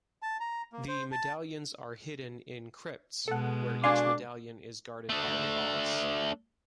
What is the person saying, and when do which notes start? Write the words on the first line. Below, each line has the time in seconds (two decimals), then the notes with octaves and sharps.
The medallions are hidden in crypts, where each medallion is guarded by a boss.
0.22 A5
0.40 A#5
0.73 A#3
0.88 C5
1.12 A5
3.28 B2 G#3 A4 F#5
3.84 D3 D4 F#4 F5 G#5 C6 D6
5.09 A3 D4